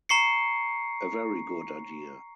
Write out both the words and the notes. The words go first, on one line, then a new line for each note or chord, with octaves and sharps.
A very good idea!
A#5 C#6 C7 C#7